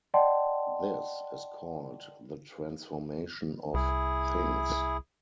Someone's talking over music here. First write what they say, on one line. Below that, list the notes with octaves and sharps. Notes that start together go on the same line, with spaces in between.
This is called the Transformation of Things.
D5 D#5 F#5 G5 A5 C6
C2 E4 G#4